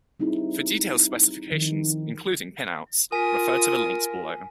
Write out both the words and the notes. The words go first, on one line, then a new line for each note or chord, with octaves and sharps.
For detailed specifications, including pinouts, refer to the links below.
G3 C4 D#4 E4 G#4
D#3 F3
F4 A#4 G#5 D#6 B6